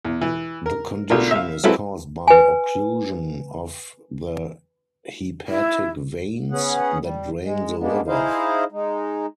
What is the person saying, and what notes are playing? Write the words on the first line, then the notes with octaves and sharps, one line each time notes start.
The condition is caused by occlusion of the hepatic veins that drain the liver.
E2
E3
A#4
B1 A3 D4 F4 A#4
E5 F5
F#3 C4 E4 G#4 A4 B4
B4 G#5
E4
B3 C#4 G#4 F#5
G3
G#3
G#3 A#3 B3 D4
D#4 E4 G#4 C5 D#5 F5
G#3 D#4